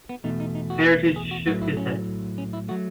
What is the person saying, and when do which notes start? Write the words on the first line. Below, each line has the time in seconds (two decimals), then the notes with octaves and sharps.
Heritage shook his head.
0.09 B3
0.24 E2 B2 A3 D#4
0.40 D#4
0.55 D#4
0.70 F#4
1.16 G#4
1.31 F#4
1.46 A2 F#3 A3 F#4
1.62 E4
1.77 C#4
2.38 C#4
2.53 E4
2.68 F#3 A3 F#4